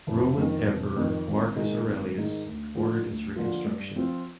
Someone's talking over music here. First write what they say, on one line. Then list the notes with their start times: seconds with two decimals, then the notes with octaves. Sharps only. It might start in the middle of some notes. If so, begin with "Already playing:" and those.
Roman Emperor Marcus Aurelius ordered its reconstruction.
0.07 F1
0.37 F2 D#3
0.67 F1
0.97 F2 D#3
1.27 G#1
1.56 G#2 D#3 G#3 D#4
1.86 G#1
2.16 G#2 D#3 G#3 D#4
2.46 D2
2.76 D3 F3 A#3 F4
3.06 D2
3.36 D3 F3 A#3 F4
3.66 G2
3.96 F3 C4 F4